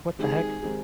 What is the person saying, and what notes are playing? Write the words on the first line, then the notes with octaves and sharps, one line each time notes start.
What the heck?
D#3 G#3 C4 D#4 G4 G#4
D#3 G#3 C4 D#4 G4